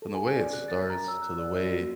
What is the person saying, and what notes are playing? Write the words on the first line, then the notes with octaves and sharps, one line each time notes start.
from the way it starts to the way
A4
G#5
D5
F#6
A6
A#5
E6
F#6
D5
F#4
A#3